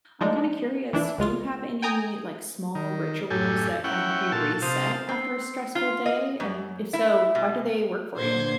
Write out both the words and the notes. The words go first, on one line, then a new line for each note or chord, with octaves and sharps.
I'm, kind of, curious, do you have any, like, small rituals that kinda help you reset after a stressful day, and if so why do they work for you?
F3 G#3 D4 D#4
E3 D4 E4
C#2 G#3 F4
G5 G#5 A#5 D#6
D#3
F#2 A2 G4 A4 G#5
C#4 E4 F#5 G5
A#2 F4 F#4 A4 A5
C3 C5 F5 A5 D#6
C4
F4
D#5
F#2
E4
B2
A#2 D3 C5 G#6